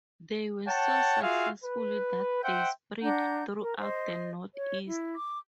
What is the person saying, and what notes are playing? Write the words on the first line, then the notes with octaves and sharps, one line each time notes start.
They were so successful that they spread throughout the Northeast.
C#5 F#5 G5 A5
F4 F#4 G#4 E5 F5
B4
C5 E5 F#5 G5
D4 F#5 A#5 G6
A#4
C5 D#5
C#5
E4
D6